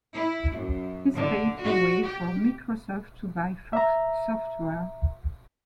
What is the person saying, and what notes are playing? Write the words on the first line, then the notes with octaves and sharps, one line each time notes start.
This paved the way for Microsoft to buy Fox Software.
E4
F#2
D3
F#4
G4
E5 A#5